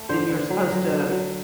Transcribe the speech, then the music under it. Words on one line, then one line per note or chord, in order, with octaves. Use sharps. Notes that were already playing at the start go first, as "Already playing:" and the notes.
that you're supposed to
Already playing: A3
D3 C5
D3
F#3
F#3
D3
F#3